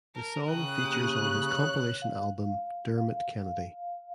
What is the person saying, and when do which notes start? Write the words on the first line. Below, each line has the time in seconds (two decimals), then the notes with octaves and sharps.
The song features on his compilation album "Dermot Kennedy".
0.15 A#4 A5
0.49 C#3 G5 D#6 F#6
0.81 A#3 G4
1.16 F#6
1.49 C#5
2.02 F5
2.97 F5